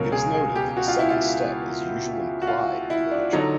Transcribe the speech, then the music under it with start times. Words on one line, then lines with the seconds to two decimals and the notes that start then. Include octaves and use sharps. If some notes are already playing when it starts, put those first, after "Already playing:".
It is noted that the second step is usually implied in literature.
Already playing: C#2 B2 F#3 A#4
0.12 G#4
0.34 G#4
0.56 G4
0.77 F#4
0.88 F4
0.99 E4
1.10 F4
2.42 F#4
2.47 F4
2.90 E4
3.11 D4
3.33 D3 F#3 D#4